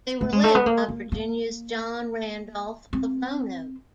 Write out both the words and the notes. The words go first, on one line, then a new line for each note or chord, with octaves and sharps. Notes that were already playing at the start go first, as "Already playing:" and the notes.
They were led by Virginia's John Randolph of Roanoke.
A3
G#3
A3
B3
A#3
A#3
A#3
C4